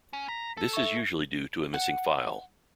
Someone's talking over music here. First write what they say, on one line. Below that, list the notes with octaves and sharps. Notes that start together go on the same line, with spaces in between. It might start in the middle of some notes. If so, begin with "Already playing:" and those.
This is usually due to a missing file.
C#4
A#5 B6
A4
E5 C#6
F#5